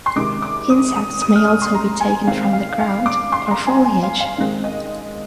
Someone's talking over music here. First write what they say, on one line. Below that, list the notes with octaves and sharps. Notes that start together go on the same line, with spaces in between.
Insects may also be taken from the ground or foliage.
C6
C3 D#3 G#3 D6
D6
D#6
D#6
D#6
F6
D#6
C6
A#5
G#5
D#3 G#3 C4 F5
F5
F5
D6
C6
A#5
G#5
G#5
F5
F5
D#3 G#3 C4
D#5